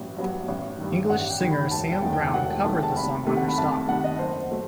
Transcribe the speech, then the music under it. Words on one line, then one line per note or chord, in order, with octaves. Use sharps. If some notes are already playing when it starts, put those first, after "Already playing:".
English singer Sam Brown covered the song on her Stop!
Already playing: A1 G2 F#3 B3
G2 F#3 B3
A1
G2 D#3
A1 F#5
G5
G2 D#3
B5
E1 A5
G5
E2 D#3 A3
G5
E1 F#5
E2 D#3 A3 A5
G5
A5
C2 B5
C3 D#3 A3
F#5
B5
C2 A5
A5
C3 D#3 A3 F#5
D#5
F#1 C5
F#3 A3